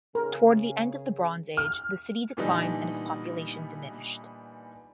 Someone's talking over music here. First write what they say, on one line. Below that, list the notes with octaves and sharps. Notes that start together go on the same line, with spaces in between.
Toward the end of the Bronze Age, the city declined and its population diminished.
C#3 G#4 A#4
F6
A#2 D3 E3 G3 B3 D#4